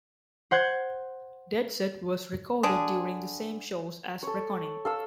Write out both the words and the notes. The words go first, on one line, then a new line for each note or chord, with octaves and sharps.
"Dead Set" was recorded during the same shows as "Reckoning".
C5 F#5 G6 G#6
D3 D4 G#4
A4 C#5
A4 F5 E6